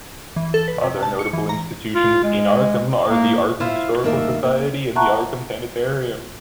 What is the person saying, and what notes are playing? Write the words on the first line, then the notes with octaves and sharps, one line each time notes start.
Other notable institutions in Arkham are the Arkham Historical Society and the Arkham Sanitarium.
E3
A4
B4
C3
A5
C#7
E3
A#5
F4
G#3
A#3
E4 F4 C5 E5 F5
G2 D#3 A3 A#3 E5
A#3 A#4
E5 F#5 A5 A#5 C#6 F#6